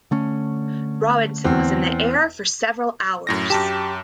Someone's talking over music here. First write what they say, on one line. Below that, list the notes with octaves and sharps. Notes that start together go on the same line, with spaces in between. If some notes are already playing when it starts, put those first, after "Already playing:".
Robinson was in the air for several hours.
D3 A3 C#4
E2 C4
F#2 A2 A#6
F#2 G4 A5 E7